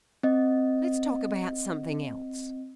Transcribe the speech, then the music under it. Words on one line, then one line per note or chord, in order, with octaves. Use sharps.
Let's talk about something else.'
C4 D#5